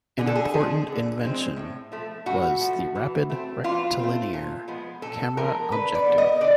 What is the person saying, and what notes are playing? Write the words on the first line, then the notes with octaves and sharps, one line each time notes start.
An important invention was the Rapid Rectilinear camera objective.
D3 G#4
A4
G#4
F3 G#3 C4 G#4
D3
F3 G#3 C4
A2
F3 A3
A2 F#4
F3 A3
E3
A3 C4
E3 F4
A3 C4
A#2
F3 G#3 B3
A#2 A4
F3 G#3 B3 A#4
D3 B4
D5
G3 B3
D#5
D3 D5